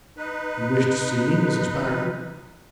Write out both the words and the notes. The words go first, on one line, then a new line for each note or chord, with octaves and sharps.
"You wish to see me, Mrs. Packard?"
D#4 B4